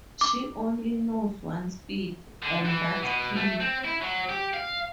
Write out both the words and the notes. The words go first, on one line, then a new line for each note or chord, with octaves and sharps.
She only knows one speed and that's kill.
D6
D3
E3
B2
A3
C4
E4
F#3
G4
F5